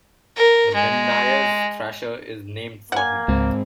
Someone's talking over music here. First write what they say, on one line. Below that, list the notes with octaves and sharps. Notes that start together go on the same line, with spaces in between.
The Bendire's thrasher is named for him.
A#4
G#3
A#3 F#5 G#5
C#2 G#2 C4